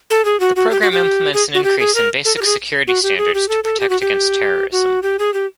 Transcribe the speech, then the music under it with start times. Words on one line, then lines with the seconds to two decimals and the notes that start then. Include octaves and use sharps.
The program implements an increase in basic security standards to protect against terrorism.
0.10 A4
0.25 G#4
0.40 F#4
0.56 F#4
0.71 G4
0.82 F#4
0.92 G4
1.33 G#4
1.54 F#4
1.64 G4
1.79 G#4
1.95 A#4
2.25 A4
2.36 A#4
2.42 G4
2.46 G#4
2.87 F#4
3.03 G4
3.18 G#4
3.34 G4
3.48 A4
3.64 A4
3.80 G4
3.90 F#4
4.01 G4
4.72 F#4
5.03 G4
5.19 G#4
5.34 G4